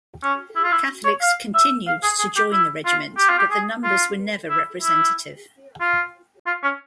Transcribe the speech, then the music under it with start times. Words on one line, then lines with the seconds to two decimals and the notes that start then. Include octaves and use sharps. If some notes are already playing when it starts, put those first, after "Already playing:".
Catholics continued to join the regiment, but the numbers were never representative.
0.23 C#4
0.56 E4
0.64 F4
0.72 E4
1.05 C#5
1.21 F5
1.54 E5
1.87 F5
2.03 G#4
2.19 G#4
2.36 G4
2.52 E4
2.85 F4
3.17 G4
3.29 F4
3.39 G4
3.51 G#4
3.84 F4
4.50 E4
4.82 E4
5.80 F4
6.46 F4
6.63 C#4